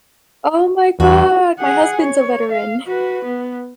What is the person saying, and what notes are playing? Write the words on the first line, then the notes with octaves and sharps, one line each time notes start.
Oh my god! My husband's a veteran.
E2 G2 F#4
G#4 F#5
C#5
F5
F#4 B4
B3